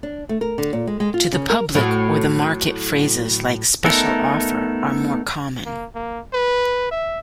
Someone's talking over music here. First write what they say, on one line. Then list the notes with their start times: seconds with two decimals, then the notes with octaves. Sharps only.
To the public or the market, phrases like "special offer" are more common.
0.03 D4
0.29 A3
0.41 A#4
0.58 D3
0.73 A#2
0.87 G#3
1.00 G#3
1.14 F4
1.32 C#3
1.50 A#4
1.75 A2 F#3
3.84 A3 B3 D#4 A4 A#4
5.66 A#3
5.95 A#3
6.33 B4
6.91 E5